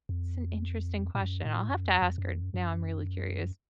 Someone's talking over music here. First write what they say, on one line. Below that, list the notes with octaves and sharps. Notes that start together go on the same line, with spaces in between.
it's an interesting question. I'll have to ask her, now I'm really curious.
F2
A2
F#2
A2
F#2
F2
F2
F#2
F2
F#2
F#2